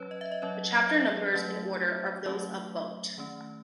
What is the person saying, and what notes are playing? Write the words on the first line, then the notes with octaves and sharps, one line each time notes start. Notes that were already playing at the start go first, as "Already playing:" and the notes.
The chapter numbers and order are those of Botte.
Already playing: F#3 C#4 B4 C#5
D#5
E5
D#5
F#3 C#4 C#5
F#3 A3 C#4
F#3 A3 C#4
D#3 A3 C#4